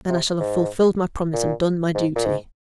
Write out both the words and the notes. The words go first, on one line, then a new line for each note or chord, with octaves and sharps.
Then I shall have fulfilled my promise, and done my duty.'
C3
G#2
A#2
G#2
A#2
G#2